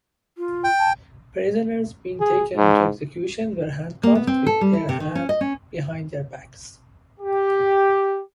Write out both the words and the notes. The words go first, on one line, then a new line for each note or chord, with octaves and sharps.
Prisoners being taken to execution were handcuffed with their hands behind their backs.
F4
G5
A5
G#4
G#2
A#3
B3
C4
A4
G3
E4
C3
D#3
C#4
D#5
C#4
G4